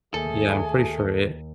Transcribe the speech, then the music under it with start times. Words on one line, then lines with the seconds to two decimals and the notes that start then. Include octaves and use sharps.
Yeah, I'm pretty sure it
0.14 D#2 A3 G#4 A4 G#5